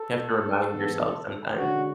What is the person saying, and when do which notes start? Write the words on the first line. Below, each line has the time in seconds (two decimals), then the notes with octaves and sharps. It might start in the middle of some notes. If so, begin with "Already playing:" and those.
You have to remind yourself sometime.
Already playing: A4
0.73 G#2 E3 B3
1.58 D3 G#3 C#4 F#4